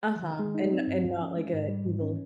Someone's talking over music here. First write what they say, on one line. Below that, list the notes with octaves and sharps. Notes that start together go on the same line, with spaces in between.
Uh-huh, and and not like an evil
D#3
G#3
D#4
C4
G2
F3
C#4
G#3
G#2
G3
G#2
C#4